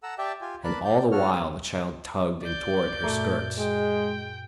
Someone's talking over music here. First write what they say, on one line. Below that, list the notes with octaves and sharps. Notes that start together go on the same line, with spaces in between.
And all the while the child tugged and tore at her skirts.
A4 F#5 A#5 E6
G4 D5 E5 G5 A5
F4 G4 G#5
A#4 B4 D5 A5 B5 F#6
D5 G6
F#4 A4 C#5 F6
D5 G6
F#2 A#2 A3
G#3 G5